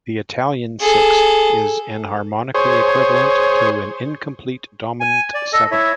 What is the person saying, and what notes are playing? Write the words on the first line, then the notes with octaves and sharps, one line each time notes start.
The Italian sixth is enharmonically equivalent to an incomplete dominant seventh.
G#4 A4
G#4 C5 C#5
G#5
D5
A4 D#5
E4 C#5 E5